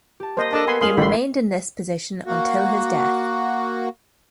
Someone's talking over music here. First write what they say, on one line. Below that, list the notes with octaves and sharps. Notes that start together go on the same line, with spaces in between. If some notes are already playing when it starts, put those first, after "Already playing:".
He remained in this position until his death.
G4 A5
A#3 C5 D#5
D4 A4 D#5 A5
B3 G#5 B5 C6
G#3 C#4 F4 G#4 D#5 F5 C6 F#7
A1 A2 D3 B5 C6
A#3 F#4